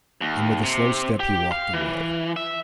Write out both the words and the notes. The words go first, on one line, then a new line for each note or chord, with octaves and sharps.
And with a slow step he walked away.
D#2
C3
G4
F5
E3
E5